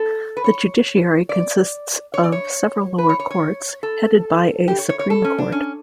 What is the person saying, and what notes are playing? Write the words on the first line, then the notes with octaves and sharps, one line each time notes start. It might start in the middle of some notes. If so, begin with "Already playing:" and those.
The judiciary consists of several lower courts headed by a Supreme Court.
Already playing: A4
B4
C#5
D5
C#5
D5
C#5
B4
C#5
C#5
C#5
A4
G4
C#5
C#5
C#5
A4
C#4
D4
C#4